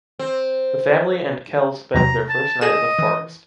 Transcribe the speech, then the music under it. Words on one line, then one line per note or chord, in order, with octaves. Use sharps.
The family and Kel spend their first night in the forest.
C4
E2 C3 F#3 A#5
A5
G#4 A4 D#5 E7
E3